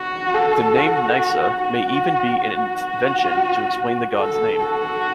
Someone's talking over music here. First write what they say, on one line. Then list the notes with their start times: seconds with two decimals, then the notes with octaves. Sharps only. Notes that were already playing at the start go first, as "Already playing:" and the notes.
The name "Nysa" may even be an invention to explain the god's name.
Already playing: F#4
0.34 A4
0.77 F#4
1.63 F#4
2.48 F#4
4.19 A4
4.62 F#4